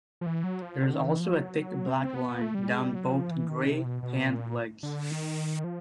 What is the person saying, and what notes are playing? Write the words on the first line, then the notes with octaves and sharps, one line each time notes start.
There is also a thick black line down both gray pant legs.
F3
E3
F#3
F3
D3
D#3
E3
F3
F#3
C4
C4
B3
A3
G3
G#3
G3
F#3
F3
E3
D#3
C3
B2
B2
A#2
D3
D#3
F3